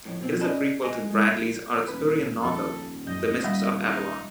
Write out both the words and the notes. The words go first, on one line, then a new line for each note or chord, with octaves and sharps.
It is a prequel to Bradley's Arthurian novel "The Mists of Avalon".
F2 A2
B2 C4
C#4 D5 D#5 A5 B5
G#4 D#5 G#5
G#3
D#1 B4
F2 A4
F#2 D#5 G6
G3 E5 F5 B5
D#4